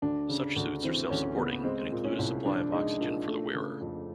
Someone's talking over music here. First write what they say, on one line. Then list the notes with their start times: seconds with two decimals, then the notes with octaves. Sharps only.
Such suits are self-supporting, and include a supply of oxygen for the wearer.
0.02 D2 D4
0.29 C#3
0.56 D2
0.83 E3 C4
1.10 D2 C#4
1.37 C#3 B3
1.64 G#3 C4
1.92 A#2
2.04 C#4
2.19 C2
2.45 F3 D4
2.72 G#3 D#4
3.00 A#2 D4
3.27 A3
3.54 C#3
3.81 F2